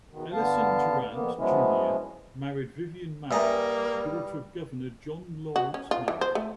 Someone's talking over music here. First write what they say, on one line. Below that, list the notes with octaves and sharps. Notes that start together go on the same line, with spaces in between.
Ellison DuRant, Junior married Vivian Manning, daughter of Governor John Lawrence Manning.
E2 B2 D#3
G2 D3 B3 F5 A5
F2 A#3 B3
F3 F#3 G#3 B3 C#4 E4
G2 G3 A#3 D#5 E5 G#5 A#5
F#4
C#4
F4
E3
C5
A3